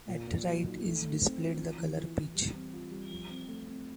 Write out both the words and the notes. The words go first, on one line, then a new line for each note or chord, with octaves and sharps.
At right is displayed the color peach.
A#2
A#2
F#3
D#4
A3
A3
C4
F4
E3
E3
E3
E3
G3
C4
F4
G3
F3
C4
A3
C4